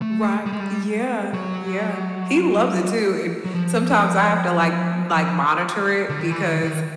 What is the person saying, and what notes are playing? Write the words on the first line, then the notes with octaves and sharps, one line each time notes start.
Right. Yeah, yeah. He loves it too and, sometimes I have to, like like, monitor it because,
A3
G3
G#3
G3
F#3
F#3
F3
D3
D#3
E3
D#3
D#3